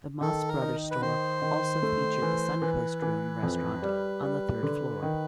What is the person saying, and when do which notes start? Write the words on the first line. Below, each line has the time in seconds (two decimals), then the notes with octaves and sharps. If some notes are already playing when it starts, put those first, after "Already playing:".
The Maas Brothers store also featured the Suncoast Room restaurant on the third floor.
0.21 D#3 A4
0.48 A#4
0.62 D#4
0.91 B4
1.02 D#3 C5
1.42 D#3
1.82 A3
2.22 E3
2.62 E3 B4
3.02 E3
3.43 F2
3.82 G3
4.23 G3
4.63 D3
5.02 D#3